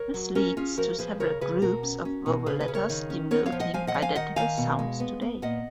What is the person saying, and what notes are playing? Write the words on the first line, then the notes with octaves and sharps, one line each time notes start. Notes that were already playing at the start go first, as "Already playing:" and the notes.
This leads to several groups of vowel letters denoting identical sounds today.
Already playing: A#4 C#5
F#3
C#4 F#4 A#4
C#4 F4 G#4
F3 F#4 A#4
F3 G#4 B4
C#3 A#4 C#5
C#3 G#4 B4
B2 F#4 A#4
C#4
C#4
B2
C#3 G#4 B4
G#4 B4
C#3
A#4 C#5
D#3
C#4
B3 A#4 C#5
C#5 F5
F3
D#5 F#5
F3 F5 G#5
D#5 F#5
F3
F5 G#5
D#3 D#5 F#5
D#3 F5 G#5
B2
G#3
B3
B3
A#2 D#5 F#5